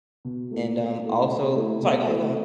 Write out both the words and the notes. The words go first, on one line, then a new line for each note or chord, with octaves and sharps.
and, um, also sorry, go ahead, go ahead.
B2
A3 E4 A4
B2
A3 E4 A4
B2
A3 E4 A4
B2
A3 E4 A4